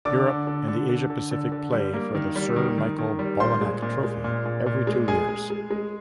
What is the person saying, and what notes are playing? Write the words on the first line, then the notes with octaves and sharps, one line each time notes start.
Europe and the Asia-Pacific play for the Sir Michael Bonallack Trophy every two years.
D3 D5 D6
D3
D3
D3
D3
D3
D3
D3
G3
A#3
D#3
G3
D#3
D#3
D#3
G3
A#2 C5 C6
G#3
A#2
G#3
A#2
A#2
A#2
G#3
G#3 G#4 G#5
G#3
G#3
G#3